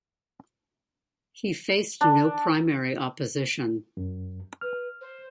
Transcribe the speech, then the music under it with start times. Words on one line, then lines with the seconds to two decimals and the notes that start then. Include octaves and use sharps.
He faced no primary opposition.
2.01 D4
3.97 F#2
4.61 B4 F6
5.01 C5